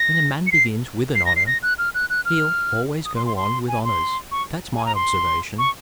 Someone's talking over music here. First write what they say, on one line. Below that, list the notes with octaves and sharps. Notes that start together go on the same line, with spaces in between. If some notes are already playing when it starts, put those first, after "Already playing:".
When a man begins with an honor he'll always go on with honors; that's my observation.
Already playing: A#6
C#7
C7
C7
A#6
C7
A#6
F#6
F6
F#6
F#6
F6
D#6
C6
C6
C6
G#5
C6
C#6
G#5
A#5
C6
C#6